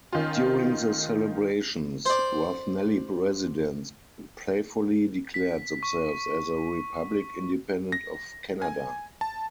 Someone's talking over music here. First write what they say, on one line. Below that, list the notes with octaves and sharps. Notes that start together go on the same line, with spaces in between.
During the celebrations, Rathnelly residents playfully declared themselves as a republic independent of Canada.
D#3 C#4 F4
C5 D5
B6
C#6
A#6
G#5
A5